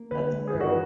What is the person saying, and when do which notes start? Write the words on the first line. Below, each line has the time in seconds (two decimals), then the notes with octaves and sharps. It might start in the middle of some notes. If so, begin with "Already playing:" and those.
that's true.
Already playing: A#3
0.11 D3 B4
0.33 G#3
0.48 G#4
0.54 G2
0.60 F#4